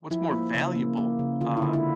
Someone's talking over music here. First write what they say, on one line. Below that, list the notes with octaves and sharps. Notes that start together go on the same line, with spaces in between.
what's more valuable, um
F3 E4
A#3
C#3
A#3
A#3
C#3
D3 F4
E4
D3
E4